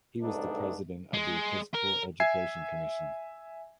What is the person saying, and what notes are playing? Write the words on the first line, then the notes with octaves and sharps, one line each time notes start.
He was the President of the Episcopal Education Commission.
C2 G#2 A3 D4 D#4 B4
G#3
A#4
E5 G#5 G#6 C7